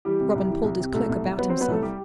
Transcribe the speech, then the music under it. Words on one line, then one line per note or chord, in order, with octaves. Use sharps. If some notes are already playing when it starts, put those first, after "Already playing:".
Robin pulled his cloak about himself.
E3 G3 G4
C3
C2
E3
C2
C3
C2 A3 A4
C2
C2
F#3 B3 B4
C4 C5
F#3
B3 B4
C2 A3 A4
G3 G4